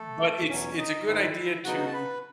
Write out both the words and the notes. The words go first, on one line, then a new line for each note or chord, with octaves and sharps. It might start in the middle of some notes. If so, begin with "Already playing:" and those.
But it's it's a good idea to
Already playing: A3 A4
E2 B2 F#3 C#4 C#5
D#4 D#5
G#2 D#3 G#3 D#4 E4 E5
C#3 F#3 B3 D#4 F#4 F#5
A5
B4 B5